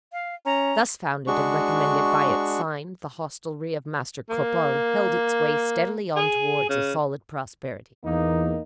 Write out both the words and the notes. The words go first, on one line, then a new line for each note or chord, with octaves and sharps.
Thus founded and recommended by its sign, the hostelry of Master Cropole held its way steadily on towards a solid prosperity.
F5
C#4 A#5
G#3 D4 F#4 C#6
A#3
G#4
C#3
E2 A#3 D#4